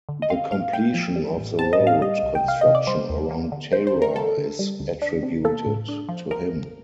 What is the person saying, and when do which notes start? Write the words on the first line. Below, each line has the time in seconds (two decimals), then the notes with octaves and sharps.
The completion of the road construction around Tara is attributed to him.
0.09 D3
0.22 D#5
0.30 C4 F5
0.51 A2 F5
0.73 A2 G5
0.94 F3
1.15 G3
1.37 A1
1.59 C4 A5
1.73 D#5
1.80 A2
1.87 F5
2.01 G3 D#5
2.23 C2
2.35 G5
2.44 C2 F5
2.61 D#5
2.66 C3
2.75 D5
2.87 G3 C5
3.09 D#2
3.31 A#3
3.52 D3
3.73 F3 C5
3.87 C5
3.94 D#2
4.02 A#4
4.16 A#3 A4
4.37 D3
4.59 G3
4.80 D2
5.02 D4
5.23 C3
5.45 A#3 A4
5.66 A2
5.88 D4
6.09 F3
6.31 F3 A#4
6.52 A#1